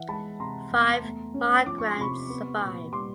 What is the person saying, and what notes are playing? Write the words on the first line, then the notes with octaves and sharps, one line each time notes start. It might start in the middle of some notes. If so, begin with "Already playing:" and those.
Five migrants survived.
Already playing: E3 E5 F#5
G#3 A5 B5
C3 A#5 C6
E2
A3
C#4
F3 D6
C#6
C6
C3 B5 C#6
B3
A#2
G3 C6 D6